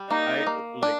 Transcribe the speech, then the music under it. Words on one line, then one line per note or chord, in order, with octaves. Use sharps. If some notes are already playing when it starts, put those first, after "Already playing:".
I, uh, like,
Already playing: G3
A#3 D#4
A#3
D4